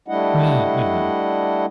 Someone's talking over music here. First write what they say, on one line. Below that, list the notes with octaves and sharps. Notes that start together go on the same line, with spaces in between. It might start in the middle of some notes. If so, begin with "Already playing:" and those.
Mm, mhm.
G3 A3 D4 E4 D#5 F#5